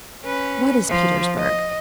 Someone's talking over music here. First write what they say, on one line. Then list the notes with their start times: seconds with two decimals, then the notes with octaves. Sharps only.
What is Petersburg?
0.24 C#4 B4
0.89 F3
1.38 D#5